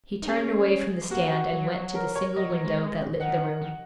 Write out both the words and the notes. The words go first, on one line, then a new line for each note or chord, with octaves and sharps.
He turned away from the stand and went to the single window that lit the room.
D#4
C#4 G#4
A#3 F#4
F#4
F#3
A#4
C#5
F#3 D#5
F#3
G#3
D#3 F#5
D#3